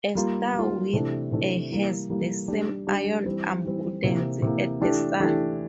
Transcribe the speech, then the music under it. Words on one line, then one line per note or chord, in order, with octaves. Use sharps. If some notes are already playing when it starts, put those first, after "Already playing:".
A star with a has the same iron abundance as the Sun.
G3 A#3 F4
G3 A#3 F4
C3 E3 A3 D4
C3 E3 A3 D4
E3 G3 A#3
E3 G3 A#3
G3 D4 G4
G3 D4 G4
E3 G3 C4
E3 G3 C4
C3 E3 A#3
C3 E3 A#3
E3 A3 D4 G4
E3 A3 D4 G4